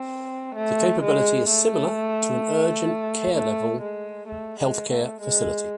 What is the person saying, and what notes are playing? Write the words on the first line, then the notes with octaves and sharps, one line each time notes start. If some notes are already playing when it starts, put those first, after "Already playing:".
The capability is similar to an urgent care-level health care facility.
Already playing: C4
A3
G#3
A3
A3
G#3
A3
G#3
A3
G#3